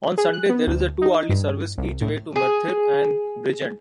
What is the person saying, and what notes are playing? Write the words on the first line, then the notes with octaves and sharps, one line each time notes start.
On Sunday, there is a two-hourly service each way to Merthyr and Bridgend.
G#4
F#6
B3
D2
D#4
G2
C2
A2
G#4